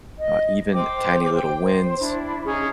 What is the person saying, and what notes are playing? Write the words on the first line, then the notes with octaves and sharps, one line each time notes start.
Uh, even tiny little wins
D#5
C5 G5 D6
G5
C5
D4 E4
C#4 D#4 G#4